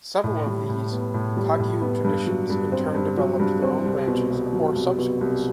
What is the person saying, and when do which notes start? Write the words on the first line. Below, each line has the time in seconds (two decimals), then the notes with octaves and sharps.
Several of these Kagyu traditions in turn developed their own branches or sub-schools.
0.24 A2
0.46 G3
0.69 A2
0.92 B3
1.14 A2
1.37 G3
1.59 A2
1.82 B3
2.05 G2
2.27 F#3
2.50 G2
2.72 C4
2.95 G2
3.17 F#3
3.40 G2
3.62 C4
3.85 C2
4.08 B2
4.30 C2
4.53 F#3
4.75 C2
4.98 B2
5.21 C2